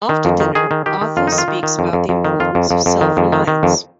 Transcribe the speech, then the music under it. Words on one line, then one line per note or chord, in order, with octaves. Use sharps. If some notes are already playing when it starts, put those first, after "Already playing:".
After dinner, Arthur speaks about the importance of self-reliance.
D#3
F2
D#3
D#3 G#4
D#3
D#3 G4
D#3
F2 F4
D#3 D#4
F4
D#3
D#3
F2
F2
F2
D#3
F2 F4
F2
F2
F2
D#3
F2
D#3
D#3
F2